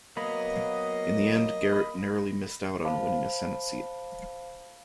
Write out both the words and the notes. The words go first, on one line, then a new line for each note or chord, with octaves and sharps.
In the end Garrett narrowly missed out on winning a senate seat.
F#3 A#3 B3 D#5 B5
B5
C5 F5 A5 B5